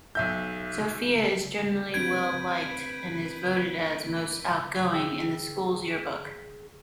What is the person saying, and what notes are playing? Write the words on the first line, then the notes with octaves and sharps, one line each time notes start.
Sofia is generally well-liked and is voted as "Most Outgoing" in the school's yearbook.
B1 E5 G6
C4 D4 G4 B4 G6 G#6 D7
D3 G#4 G5 E6